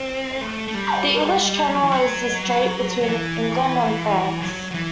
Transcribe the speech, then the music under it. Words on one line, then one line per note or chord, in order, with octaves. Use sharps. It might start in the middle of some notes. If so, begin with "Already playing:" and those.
The English Channel is the strait between England and France.
Already playing: C4
A3
A3
G3
F#3
E3
F#3
F#3
E3
F#3
F#3
E3